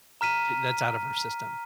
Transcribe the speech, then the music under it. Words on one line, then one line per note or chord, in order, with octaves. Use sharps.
and that's out of her system.
A#5 F6 B6 D#7